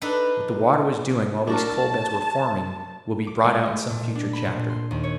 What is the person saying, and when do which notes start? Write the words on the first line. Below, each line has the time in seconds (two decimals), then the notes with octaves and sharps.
What the water was doing while these coal beds were forming will be brought out in some future chapter.
0.02 D4 D#4 A4 B4
1.47 D4 F#4 A#4 A5
3.27 D6
3.44 G#3
3.66 A3
3.90 A#2
4.15 D4
4.33 B5
4.45 A#2
4.70 C6
4.91 D#2
5.04 C#5